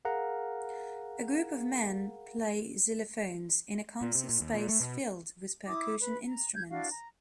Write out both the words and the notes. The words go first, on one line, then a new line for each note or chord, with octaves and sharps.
A group of men play xylophones in a concert space filled with percussion instruments.
G#4 A#4 F5 F#5 A#5
A#2
C3
A#2
D#2
A#2
A3
B2
E4 D6 D#6
B4
A#5
G6 G#6
D4 E4 F#4 F5
A#5